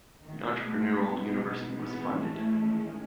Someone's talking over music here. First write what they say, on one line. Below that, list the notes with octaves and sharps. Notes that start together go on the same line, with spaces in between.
The Entrepreneurial University was funded.
B2 D#3 G#3 B3 E4
A3
B2 G#3 B3 D#4
A2 E3 G#3 B3 C#4 E4
A3
D#3 G#3 C#4